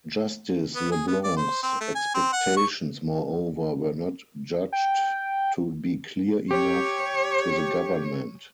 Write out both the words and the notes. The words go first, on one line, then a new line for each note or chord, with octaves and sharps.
Justice LeBlanc's expectations, moreover, were not judged to be clear enough to the government.
B3
G#4
B3
D5
C5
C4
A3
G#5
C4
F#5
C#6
G5
G4 C#5